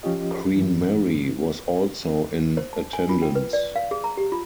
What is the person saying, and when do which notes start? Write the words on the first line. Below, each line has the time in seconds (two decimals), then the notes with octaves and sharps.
Queen Mary was also in attendance.
0.03 F3 C#4 F4 G4 D#5
0.56 G2 E3
2.57 C5
2.73 A5
2.93 G#5
3.09 F4
3.22 G5
3.35 B4
3.53 D5
3.76 F5
3.91 G#4
4.04 A#5
4.17 G4
4.32 F4